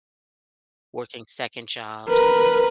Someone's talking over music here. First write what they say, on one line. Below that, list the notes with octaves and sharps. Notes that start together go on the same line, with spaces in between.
working second jobs,
A#4 B4